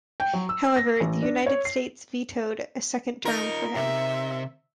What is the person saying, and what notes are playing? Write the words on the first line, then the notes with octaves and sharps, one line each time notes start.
However, the United States vetoed a second term for him.
G5
F#3
E6
A#6
A1
D4
C#5
C7
D#4 F4 A#4 D#5
C3 E5